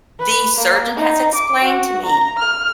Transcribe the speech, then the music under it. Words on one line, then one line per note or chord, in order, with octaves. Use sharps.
"The surgeon has explained to me
B4
A#3
D#4
D6
F#4
A#5
F6